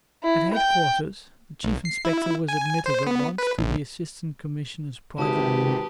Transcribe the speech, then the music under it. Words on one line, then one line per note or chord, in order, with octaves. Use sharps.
At headquarters the Chief Inspector was admitted at once to the Assistant Commissioner's private room.
E4
G5
B1
C7
E4
G#5
C5
B3
B4
A#1
G#1 C3 G4 B4 A5 D#6